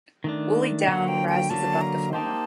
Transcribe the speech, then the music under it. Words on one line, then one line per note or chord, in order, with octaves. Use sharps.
Woolley Down rises above the former.
D#3 A3 D4
G5
D3 F#3 A#3 F#5
G5
G5
D3 F#3 A#3 A5
A#5
A#3 D#4 G4 C5 A5